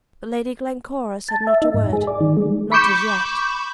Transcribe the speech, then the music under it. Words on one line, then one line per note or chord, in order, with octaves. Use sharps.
But Lady Glencora said not a word,--not as yet.
A5
E5
D#4
G#2
G#4
D5
D#3
G#3
B5 C#6 D6 G6 E7